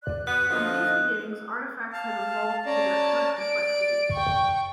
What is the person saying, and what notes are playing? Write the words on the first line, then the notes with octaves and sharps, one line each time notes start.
From these beginnings, artifacts have evolved to their current complexity.
D5 F#6
B3 F#4 F#6
D3 F3 D#5 D#6 F6
F5 A5
C#4 D5 A5 A#5
D5 D7
G5 C#6